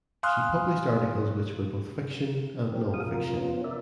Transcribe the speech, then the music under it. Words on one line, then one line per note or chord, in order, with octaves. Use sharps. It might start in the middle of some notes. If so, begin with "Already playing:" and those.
She published articles which were both fiction and nonfiction.
F5 G#5 C6 D#6 F6 F#6
C4 G4 A#4
F#4 G#4 F5 D#6
C3 F3 F4 A#4
F3 B3 C#4 F4
A#4 D5 E5